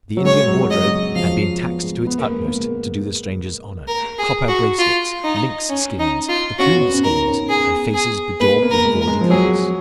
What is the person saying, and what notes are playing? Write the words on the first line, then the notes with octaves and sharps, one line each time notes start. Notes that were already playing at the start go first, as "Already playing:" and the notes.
The Indian wardrobe had been taxed to its utmost to do the strangers honor,--copper bracelets, lynx-skins, raccoon-skins, and faces bedaubed with gaudy colors.
F#3
G#3 C#5
F#3
G#3
F#3 D#5
F#3
F3 F5
B3
G#3
B3
A#3
G#3
A#3
A#4
G#4
F#4
F4
D#4
C#4
D#4
F4
C#4 F#4
B3
C#4
C#4
D#4 A#4
B3
C#4
B3 G#4
G#4
A#3 B4
A#3
A#4
G#3
A#4
G#3
F3
F#3 G#4